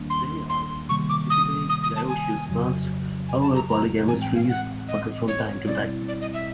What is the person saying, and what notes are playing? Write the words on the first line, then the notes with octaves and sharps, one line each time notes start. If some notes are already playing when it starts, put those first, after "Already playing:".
They are typically dioecious plants however polygamous trees occur from time to time.
Already playing: D#2 D#3 G3 A#3 D4
C6
C6
C3 D#3 G3 A#3 C#6
D6
D#6
D#6
D#6
A5
G#5
F2 C#3 F#3
G#5
A5
A#5
A#5
A2 E3 G#3 C4 G#5
G5
F5
F#5
D#5
C#5
B2 G3 C4 E4 D5
D5
D#5
E5